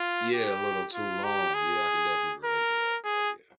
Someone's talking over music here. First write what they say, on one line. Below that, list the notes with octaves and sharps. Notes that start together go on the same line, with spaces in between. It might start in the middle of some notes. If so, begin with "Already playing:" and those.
Yeah, a little too long, yeah, I can definitely relate to that, bro, yeah.
Already playing: F4
G4
F4
G4
G#4
A#4
G#4